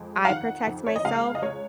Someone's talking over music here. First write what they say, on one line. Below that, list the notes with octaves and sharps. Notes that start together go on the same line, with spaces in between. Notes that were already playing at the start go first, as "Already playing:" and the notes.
I protect myself.
Already playing: F2 G#3
F5
D#3 F#5
F2
C#5
D#5
C#2 F5
D#5
C#2 C#5